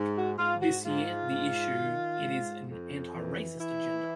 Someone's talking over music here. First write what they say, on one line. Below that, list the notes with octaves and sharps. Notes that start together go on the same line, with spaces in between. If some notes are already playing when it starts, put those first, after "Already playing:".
This year, the issue it is an anti-racist agenda.
Already playing: G#2
F#4
G#2 F4
F#4
G#2 F4
G#2
D#3
G#2
F2
E3
E3 E4